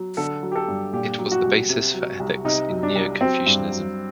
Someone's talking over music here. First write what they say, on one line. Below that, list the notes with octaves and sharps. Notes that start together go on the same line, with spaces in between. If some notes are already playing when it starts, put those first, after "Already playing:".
It was the basis for ethics in neo-Confucianism.
Already playing: F#3
D3 A4
F#3
G4
A4
G2
A#2 G4
F#3
F#4
C2
C3
F#3
C2
C3 D#4
F#3
D4
C2
F#3 C4
G2
F#3